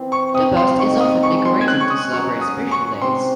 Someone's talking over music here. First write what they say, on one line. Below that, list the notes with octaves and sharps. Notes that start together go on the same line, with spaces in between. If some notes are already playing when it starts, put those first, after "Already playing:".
The bust is often decorated to celebrate special days.
Already playing: E3 C4
C#6
C3 D#6
C6
D#3 C#6
D#6
G#3 C#6
C6
G#6
C#4 F#6
C#6
D#6
F#3 C#6
D#6
C#4
C#6
C3 C6